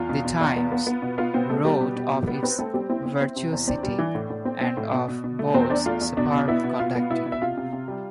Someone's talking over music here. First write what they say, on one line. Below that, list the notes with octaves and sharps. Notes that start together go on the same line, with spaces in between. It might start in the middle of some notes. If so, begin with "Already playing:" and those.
"The Times" wrote of its "virtuosity" and of Boult's "superb" conducting.
Already playing: E2 F4 F5
B2
B2
E2
B3
B3
B3
B2
B3 F4 F5
B2 C4 C5
B2 A3 A4
G3 B3 G4
B2
B2
B2
B3
B3 C4 B4
A3 C4 A4
G3 C4 G4
C4 E4
C4
C4
C3
E2
C4 D4 D5
G3
E3
A2
A2
C4
C4
A2
B2
B2
B2
A3
E2 C4 C5
E2 D4 D5
A3 F4 F5
E2
B2 D4 D5
B2
B3 E4 E5
B2
B2 F4 F5
B3
B2 E4 E5
B2
E5
C3 F4 F5
C3
C3
G3